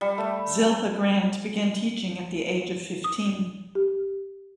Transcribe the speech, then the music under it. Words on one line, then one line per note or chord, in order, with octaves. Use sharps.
Zilpah Grant began teaching at the age of fifteen.
G3
A3
G#5
D#6
G4